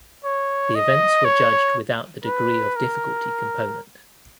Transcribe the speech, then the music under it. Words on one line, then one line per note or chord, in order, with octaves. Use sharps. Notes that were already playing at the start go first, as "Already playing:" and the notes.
The events were judged without the degree of difficulty component.
C#5
D#5
C#5
B4
A#4